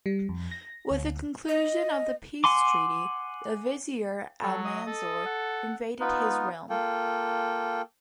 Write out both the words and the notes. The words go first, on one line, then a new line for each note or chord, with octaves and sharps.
With the conclusion of the peace treaty, the vizier Almanzor invaded his realm.
G3
F2
A#6
D2
D#5
F#5 G#5 C6 D6
F#3 A4
D#5 D#6
A4
F#5
B3 D#4 F4 B4
A#3 F4 A4 G5